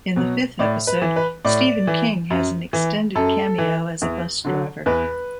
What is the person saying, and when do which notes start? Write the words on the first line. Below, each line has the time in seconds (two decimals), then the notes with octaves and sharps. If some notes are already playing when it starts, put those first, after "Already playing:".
In the fifth episode, Stephen King has an extended cameo as a bus driver.
0.16 B2 F#3
0.59 A2 D5
0.87 B4
1.02 E3
1.16 B4
1.45 A2 D5
1.87 E3
2.30 F#2
2.73 E3
3.15 F#2 A4
3.58 E3
4.02 E2
4.44 D3 F#3
4.86 E2 B4